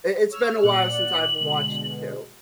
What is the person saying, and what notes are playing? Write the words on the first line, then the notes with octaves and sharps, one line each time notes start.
I It's been a while since I've watched it too.
C#5 E6 F6
A#2 D5 F#5 F#7
B2 D3 G#3